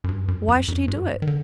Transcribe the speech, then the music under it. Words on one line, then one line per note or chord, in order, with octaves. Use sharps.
Why should he do it?
F#2
G2
F#2
F2
F2
G2
D#3
D3